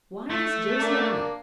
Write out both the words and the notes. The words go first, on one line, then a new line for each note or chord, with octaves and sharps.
Why this Josiana?
A3
A#3 D4